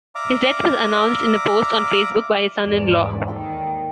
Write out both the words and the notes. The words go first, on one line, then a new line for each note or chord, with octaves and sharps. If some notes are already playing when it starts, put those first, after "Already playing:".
His death was announced in a post on Facebook by his son-in-law.
D5 E5 F5 A#5 D6
E2 G#2 D5
D#2 D#3 G3 A4 G5